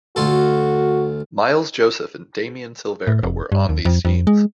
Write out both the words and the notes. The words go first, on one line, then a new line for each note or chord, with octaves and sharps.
Miles Joseph and Damian Silvera were on these teams.
D2 F4 F#4 A4
A2
F1
G2
D#2
F2
F2
G#3